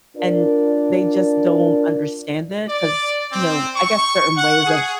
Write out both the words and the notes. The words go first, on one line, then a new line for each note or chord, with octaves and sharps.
and they just don't understand it, 'cause, you know I guess certain ways of
D4 F4 A#4 D5
D5
C4
C#6
F#5
G#4